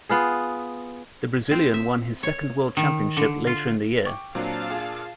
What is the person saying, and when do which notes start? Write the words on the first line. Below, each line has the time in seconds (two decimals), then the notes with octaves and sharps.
The Brazilian won his second World Championship later in the year.
0.09 B3 F4 G#4
1.51 C4
1.74 E5
2.23 C#5
2.77 D#3
3.17 D3
3.47 F4
4.05 G5 C#6 D6
4.35 A#2 F#3 C4 D4 F5 A5
4.70 F4 G#4